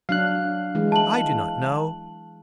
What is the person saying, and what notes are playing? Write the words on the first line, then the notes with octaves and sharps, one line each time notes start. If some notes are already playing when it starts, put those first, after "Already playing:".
I do not know.
F#3 D4 F5 F#6
E3 G#3
A5 F#7